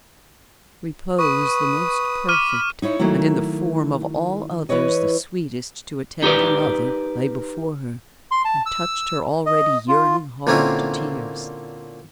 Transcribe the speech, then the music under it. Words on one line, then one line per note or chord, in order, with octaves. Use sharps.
Repose the most perfect and in the form of all others the sweetest to a tender mother, lay before her and touched her already yearning heart to tears.
B4 C#6 D#6
B5 D6 F6 D#7
D#4 E4 C#5
D#3 F#3 A3 A#3 E4
E3 E4 B4 C#5 D#5
D#4 G4 A#4 B4 D5
C6
A5
E6
D#5
F4
A#2 D3 A#3 C4 C#4 E4